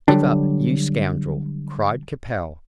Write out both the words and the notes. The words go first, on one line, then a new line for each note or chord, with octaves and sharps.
"Give up, you scoundrel!" cried Capel.
D3 F#3 G3 D4